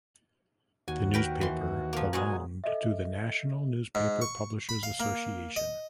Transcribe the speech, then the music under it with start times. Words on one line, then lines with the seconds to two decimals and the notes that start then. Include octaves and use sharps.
The newspaper belonged to the National Newspaper Publishers Association.
0.88 D#2 F#4 G#5
1.14 A#4 B4 G5
1.41 E3 C6
1.93 F3 A#3
2.13 A#2 F#3 G#3 F#4 G#5
2.64 A4 D#5 E5
3.95 G#2
4.22 C#6
4.69 B5
4.83 F5
5.00 A#3
5.56 D#5